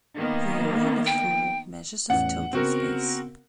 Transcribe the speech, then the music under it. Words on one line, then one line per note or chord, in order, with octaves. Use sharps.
The arena floor measures of total space.
D#3 A#3 B3
G5
A1 E2 F#5
C#3 B3 C4 F#4 A#4